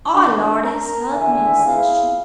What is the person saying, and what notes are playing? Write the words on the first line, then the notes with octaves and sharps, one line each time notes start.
"OUR LORD has helped me," said she.
C3 D#3 E3 D4
A#4 A#5
E2 D3 D#3 E5 G#5
E4 F4 G#4 F5